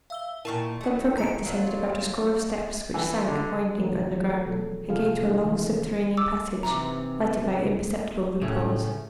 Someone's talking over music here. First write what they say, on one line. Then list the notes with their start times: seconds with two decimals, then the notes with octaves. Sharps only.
Then Fouquet descended about a score of steps which sank, winding, underground, and came to a long, subterranean passage, lighted by imperceptible loopholes.
0.10 E5 F5 E6 G7
0.45 A#2 D#3 E4 A#4 A5 C#6
0.81 F#3 A3
1.18 A#5 C#7 D7
1.46 F#3 F4 A6
2.94 E3
3.28 D3
3.77 E3 F#3 A3 D4 C5
4.13 F#4 G#4 C#5
4.44 B2 F3 A3 A4
4.89 C3 F3 F4 G#4 A4 F5
5.21 G#3 D4 E4
5.43 D#3 E3 G#3 G#4
6.17 D6 E6
6.63 D#2 C3 E3 A#5
8.42 A2 C#3 A3 C#4